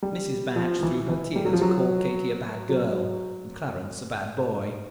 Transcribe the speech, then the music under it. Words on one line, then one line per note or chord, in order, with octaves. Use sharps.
Mrs. Batch through her tears called Katie a bad girl, and Clarence a bad boy.
G3
F3
F3
E3
E3
G3
F#3
F3
F#3
F#3